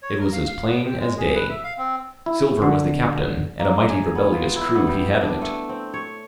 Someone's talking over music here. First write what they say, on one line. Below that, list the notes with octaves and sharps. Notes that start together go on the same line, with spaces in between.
It was as plain as day. Silver was the captain, and a mighty rebellious crew he had of it.
C#5
A#4
F5
F5
B3
G5
G#3
G#4
B4
E5
F5
C4
E4
D3
A#3
G#4
B3
F4
E4
B3
G3
D4
A3
C4
C#5